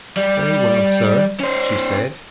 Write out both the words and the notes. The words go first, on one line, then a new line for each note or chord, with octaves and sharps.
"Very well, sir!" she said.
G3
C#4 C5